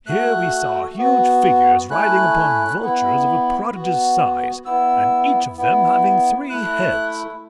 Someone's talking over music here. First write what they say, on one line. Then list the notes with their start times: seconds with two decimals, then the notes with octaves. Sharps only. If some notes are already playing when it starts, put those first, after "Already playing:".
Here we saw huge figures riding upon vultures of a prodigious size, and each of them having three heads.
0.06 A3 F#4 F#6
0.98 B3 F#4
1.90 A3 C#4 E4 F#6
2.82 B3 E4
3.74 B3 F#4
4.65 B3 E4 E6
5.57 B3 E4
6.50 A3 E4 F#6